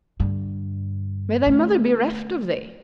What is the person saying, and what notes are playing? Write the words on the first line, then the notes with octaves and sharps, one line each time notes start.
May thy mother be reft of thee!
G2 D3
D3 A3